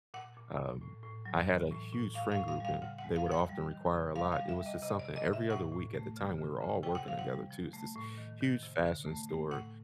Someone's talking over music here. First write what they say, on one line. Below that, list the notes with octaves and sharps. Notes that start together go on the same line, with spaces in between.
Um, I had a huge friend group, and they would often require a lot. It was just something every other week at the time, we were all working together too. It's this huge fashion store
A#2 F#5
A#2
A#2
A2
A2
F#3
E3
A2
A2
A2 F5
F5
A2
F5
G3 F5
C#3 F#5
F#5
G#3
F5
F3
F#5
G3
D#3
C3
G3 F5
F5
G3
E5
G3 D#5
C3 D#5
D5
C3
D#5
C3
E5
A2 F#5
A2
A3
C#3
C#3
C#3
C3 G5
F#5
C3 F5
F#5
G3
F3
A3
A2
D#3
D#3
C3
D3
A3
A3
A2 F#5